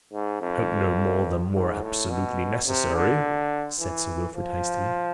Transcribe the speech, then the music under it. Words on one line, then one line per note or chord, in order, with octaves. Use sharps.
"I hope no more than were absolutely necessary!" said Sir Wilfrid, hastily.
G#2
F2
G#2
A2
B2
C3
D3
E3
F3